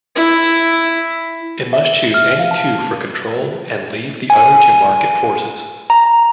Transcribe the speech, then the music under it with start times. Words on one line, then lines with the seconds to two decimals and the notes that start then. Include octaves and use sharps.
It must choose any two for control and leave the other to market forces.
0.16 E4
1.73 E5
2.14 F6
2.39 F5
2.51 A5
4.30 G#5
5.90 A#5